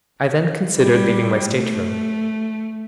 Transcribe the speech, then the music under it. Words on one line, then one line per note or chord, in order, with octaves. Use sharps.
I then considered leaving my stateroom.
G3
A3